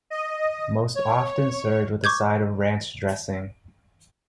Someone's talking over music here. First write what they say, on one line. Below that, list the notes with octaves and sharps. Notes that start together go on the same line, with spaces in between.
Most often served with a side of Ranch dressing.
D#5
C#5
C#6 D6 G6 G#6